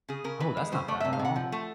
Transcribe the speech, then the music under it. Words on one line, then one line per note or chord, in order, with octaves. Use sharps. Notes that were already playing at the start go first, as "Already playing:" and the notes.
Oh, that's not bad at all.
C#3 G#4
C#3 A#4
E3 B4
G#3
C#3 C5
A3 D5
C3 E5
F5
C3
F#5
F3
A3